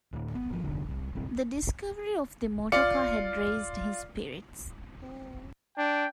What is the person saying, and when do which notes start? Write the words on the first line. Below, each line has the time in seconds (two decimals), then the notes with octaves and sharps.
The discovery of the motorcar had raised his spirits.
0.13 D1
0.35 B3
0.50 G1 F3
0.64 F1 D3
0.90 C2
1.15 G1 C2 C4
2.72 F4 D5 C#7
5.77 D4 G5